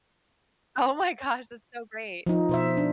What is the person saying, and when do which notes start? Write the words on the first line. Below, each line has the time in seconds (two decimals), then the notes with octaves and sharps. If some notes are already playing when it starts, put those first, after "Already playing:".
Oh my gosh. That's so great.
2.27 F3 D#4
2.49 B2 C5 E5
2.77 D4